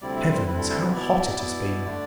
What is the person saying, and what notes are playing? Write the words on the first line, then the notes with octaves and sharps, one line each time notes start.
'Heavens! how hot it has been.
D2 C3 G3 C4 E4 D5
E5
C5
D2 C3 G3 C4 E4 B4
A4
A4
B4
B2 B3 E4 D5
B2 B3 E4
D3 A3 D4